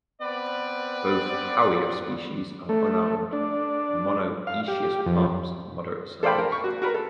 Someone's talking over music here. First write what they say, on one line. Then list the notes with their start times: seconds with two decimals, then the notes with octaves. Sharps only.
Both "Howea" species are unarmed, monoecious palms of moderate size.
0.22 B3 C4 B4 D5
2.69 A3
3.33 D4
4.47 F5
4.68 G4
5.06 F2
6.23 A4 C5 D5 F5 G5 B5
6.38 A#4
6.52 C#6
6.64 F#4
6.82 F#4 A#4 B4
6.94 A4